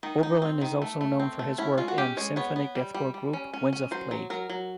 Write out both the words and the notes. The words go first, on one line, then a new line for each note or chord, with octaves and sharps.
Oberlin is also known for his work in symphonic deathcore group Winds of Plague.
D#3 D#4
D#4
C4
D#3
A3
A3
C4
A3
C#4 E4
G#3 F4
F#4
C#4 G4
G#3 C#5
B3 C#5
B3
G3
G3
G3
C#4
C#4
C#4
F#3 C5
F#3
F#3 A#4
F#3